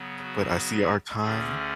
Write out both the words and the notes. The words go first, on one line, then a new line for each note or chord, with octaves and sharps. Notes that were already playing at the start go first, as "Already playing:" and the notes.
but I see our time
Already playing: C#3 F#3 B3
F#4
D2 D3 A3 C#4 G#4